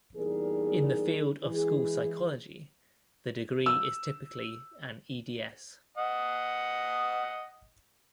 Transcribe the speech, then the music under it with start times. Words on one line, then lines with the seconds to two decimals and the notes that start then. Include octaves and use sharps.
In the field of school psychology, the degree is typically an Ed.S.
0.15 E2 A#2 G3 D#4 G#4 A#4
1.43 E3 G#3 E4 G#4
3.66 E6
5.98 D#5 F#5